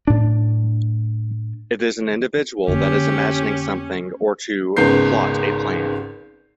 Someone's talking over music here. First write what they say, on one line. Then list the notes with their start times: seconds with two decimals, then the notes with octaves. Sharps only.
It is an individual that is imagining something or to plot a plan.
0.07 A2 D4
2.68 F2 D3 A#3 C#4 G4
4.77 G#1 C#2 G#2 B3 G6 C7